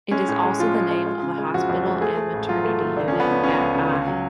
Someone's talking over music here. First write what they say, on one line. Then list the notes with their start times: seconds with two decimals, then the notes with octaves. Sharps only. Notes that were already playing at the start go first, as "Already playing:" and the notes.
It is also the name of a hospital and maternity unit at Eye.
0.11 G#3 C#4
0.28 A2
0.43 G#3
0.59 F3 F4
0.75 G#3
0.91 G#3
1.07 G#3
1.23 C#3
1.38 G#3
1.54 F2 F#4
1.69 F2
1.86 G#3
2.01 A3 G#4
2.17 A3
2.33 A1
2.49 F#3 F4
2.65 A3
2.81 A3
2.97 C#2 D4
3.08 F3 C#4
3.20 B3
3.28 C#2 C#4
3.44 C#2 C#4
3.60 C#2
3.75 C#3
3.92 C#2
4.07 F#3